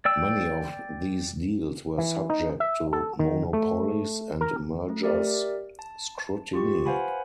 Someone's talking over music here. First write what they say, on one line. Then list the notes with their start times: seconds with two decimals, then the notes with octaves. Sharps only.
Many of these deals were subject to Monopolies and Mergers scrutiny.
0.05 D5 G5 E6
1.98 E3
2.30 D#4
2.60 E5
2.93 A4
3.19 D#3
3.53 A3
4.41 A#4
4.89 A3
5.03 G4 A#4 D5 E5
5.79 A5
6.53 F4 G4 C#6
6.86 B4 C5 F5 F#5 G#5 B5